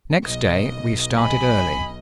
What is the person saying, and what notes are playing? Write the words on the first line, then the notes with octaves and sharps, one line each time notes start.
Next day we started early.
B1 D#5
G#5 B5